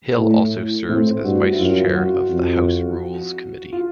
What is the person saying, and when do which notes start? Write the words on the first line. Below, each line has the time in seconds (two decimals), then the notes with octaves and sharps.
Hill also serves as vice chair of the House Rules Committee.
0.18 A2
0.89 A2 C4
1.24 G2 F#4
1.52 E4
1.59 F#2 F4
1.95 F#4
2.30 F2
3.73 F4